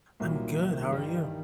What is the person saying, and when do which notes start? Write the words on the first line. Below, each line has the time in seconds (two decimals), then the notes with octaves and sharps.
I'm good. How are you?
0.20 C2 A#2 D#3 F#3 A#3
0.88 G2 E3 G3